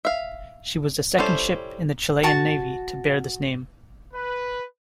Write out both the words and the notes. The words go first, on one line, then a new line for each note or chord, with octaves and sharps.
She was the second ship in the Chilean Navy to bear this name.
E5 F5
G3 C#4 E4 A4 C5
F#4 A5
B4